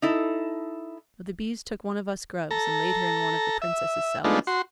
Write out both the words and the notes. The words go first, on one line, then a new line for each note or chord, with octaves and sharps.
But the Bees took one of us Grubs and laid her in one of the Princesses' cells.
D#4 E4 A4
A4 A#5
E5
G#3 A3 B3 D4 D#4 F4
F#4 C6